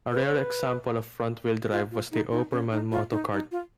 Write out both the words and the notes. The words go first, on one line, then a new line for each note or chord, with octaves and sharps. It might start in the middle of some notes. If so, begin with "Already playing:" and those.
A rare example of front wheel drive was the Opperman Motocart.
B4
C#5
B4
F4
F4
D#4
D#4
C#4
D#4
F4
D#4
D#4
F4